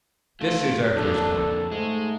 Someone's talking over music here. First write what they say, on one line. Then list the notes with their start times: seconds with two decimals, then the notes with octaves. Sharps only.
This is our first point.
0.41 A3 F4
0.96 F2 A#3 D4 A4
1.72 G#2 G#3 A3